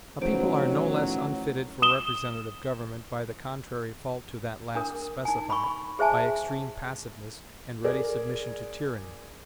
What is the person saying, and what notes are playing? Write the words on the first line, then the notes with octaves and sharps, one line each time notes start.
A people are no less unfitted for representative government by the contrary fault to that last specified--by extreme passiveness, and ready submission to tyranny.
A1 B2 D#3 F3 F#3 C5 D7
D#6 E7 G7
D4 A#4 D#6
D#4 G#5
B5 C#6
G#4 C5 E5 G#5 A5
G#4 A#4 D5